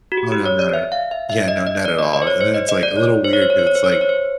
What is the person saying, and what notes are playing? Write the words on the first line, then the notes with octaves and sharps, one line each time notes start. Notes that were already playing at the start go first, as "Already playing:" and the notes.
Oh, no, not at Yeah, no, not at all and then it's, like, a little weird 'cause it's, like,
F#4
G4
G4
C#5
D5
E5
F5
E5
E5
D#5
D#5
D5
D#5
D#5
C5
C#5
C5
D#5
D#5
D5
C#5
C5
C#5
C5
C#5
C5
C#5
C5
C#5
C5
C#5
C5